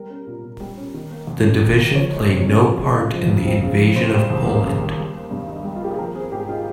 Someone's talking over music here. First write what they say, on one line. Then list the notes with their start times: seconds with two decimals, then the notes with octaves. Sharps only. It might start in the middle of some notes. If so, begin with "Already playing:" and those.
The division played no part in the invasion of Poland.
Already playing: G3 A#4
0.10 C#4
0.27 A#2
0.43 A#2
0.60 G3
0.77 C#4
0.94 D#3
1.11 A#3
1.27 D#2
1.44 C#4
1.61 D#3
1.78 A#3
1.95 F3 C#5
2.12 G#3
2.29 C3
2.45 C#4
2.62 F3
2.79 G#3
2.96 C#3
3.12 F3
3.30 F2
3.46 C4
3.63 C#3
3.79 F3
3.96 C#3 C5
4.13 G3
4.30 D#2
4.47 A#3
4.63 C#3
4.81 G3
4.97 G3
5.14 A#3
5.31 G2
5.48 D#4
5.65 G3
5.76 F4
5.82 A#3 G4
5.91 G#4
5.98 F3 A#4
6.15 C4 G#4
6.32 G#2 G4
6.49 D#4 F4